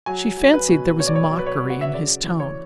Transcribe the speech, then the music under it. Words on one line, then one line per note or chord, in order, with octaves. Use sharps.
She fancied there was mockery in his tone.
F#3 G#5
F#3
B4
B2
B2 C#5
D5
C#5
F#3
B4
C#5
F#3
F#5
E5
C#3 D5
E3
C#5